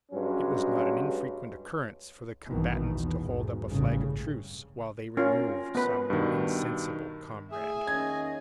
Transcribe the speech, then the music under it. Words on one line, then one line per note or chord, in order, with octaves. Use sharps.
It was not an infrequent occurrence for the combatants to hold up a flag of truce while they removed some insensible comrade.
G2 F#3 G#3 C#4
A#1 G2 B2 D#3 E3
E2 B2
B1 G#2
A1 G2 C#3
C#4 F4 A#4
B3 B4
G2 B2 D#3
A2 G#4 E5
D#3 A#3 C#4 D#5 G#6